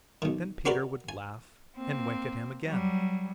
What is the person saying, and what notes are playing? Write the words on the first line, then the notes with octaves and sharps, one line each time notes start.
Then Peter would laugh and wink at him again.
B1 D#3
C4 F#4 G4 A#4 B4 D5
G#5
A#3 C4
F#3 G3